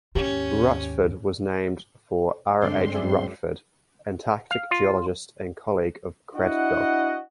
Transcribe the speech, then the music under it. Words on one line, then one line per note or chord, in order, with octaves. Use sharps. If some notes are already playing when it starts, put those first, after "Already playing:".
Rutford was named for R. H. Rutford, Antarctic geologist and colleague of Craddock.
D#2 G#2 C#4 G4
G2 D3 G#3 C4 A4 D5 C6
F#2 G#4 D5 E5
F5
F4
D4 E4 F#4 D#5 F#5